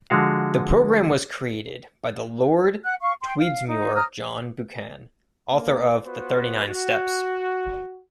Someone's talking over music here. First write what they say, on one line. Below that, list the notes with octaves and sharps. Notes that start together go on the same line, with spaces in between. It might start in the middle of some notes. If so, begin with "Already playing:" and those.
The program was created by the Lord Tweedsmuir-John Buchan, author of "The Thirty-Nine Steps".
D3 F3 G#3 F#4 F5
F#5 F#6
F5 C#6
G5 C6
F5
D#4
A#5 D#6 F6
A#3
B3 F4 F#4 B4 C5
F#4